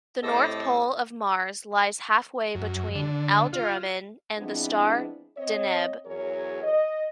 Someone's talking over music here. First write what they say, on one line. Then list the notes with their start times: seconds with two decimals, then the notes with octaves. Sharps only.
The north pole of Mars lies halfway between Alderamin and the star Deneb.
0.23 A2 A3 C4 G4 A4 D#5
2.55 F#2
2.95 D3
3.53 F4
4.37 F3 G#3 B3 C4 D4 E4
5.37 C4 C#5 D#5
6.06 E2 F#3 G#4 A#4 C#5
6.62 D#5